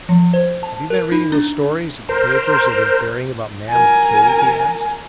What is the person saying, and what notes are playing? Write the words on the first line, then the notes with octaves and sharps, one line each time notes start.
"Have you been reading those stories that the papers have been carrying about Mammoth Cave?" he asked.
F3
C5
A5
A#4
D#4
D4
A#4 C5
A#4 G#5